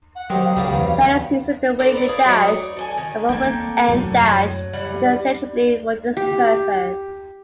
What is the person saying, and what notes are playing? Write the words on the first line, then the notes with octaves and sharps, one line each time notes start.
Chinese uses the wavy dash and full-width em dash interchangeably for this purpose.
F#5
D#3 F#3 C4 G4
F5
C#2 G2 D3 F#3 G3
E2
A4 B4 C5 D5 A#5
B4 D5
G#4 D5 F5 B5
F#2 D#4 D5 C#6
A4 G5 G#5
D#3
A#3 C4 A4 G5
F#2 A2
F#3
E3 G3 F#5
G4